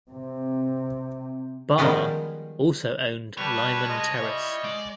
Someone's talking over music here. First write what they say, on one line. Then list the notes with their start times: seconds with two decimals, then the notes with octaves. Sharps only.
Barr also owned Lyman Terrace.
0.11 C3 C4
1.78 D#3 F3 G3 G#3 B3 F4
3.38 C2 G3 B4 C#5 A5
3.89 G#3 D#5
4.23 G3 E4 D#5
4.64 G#3 D5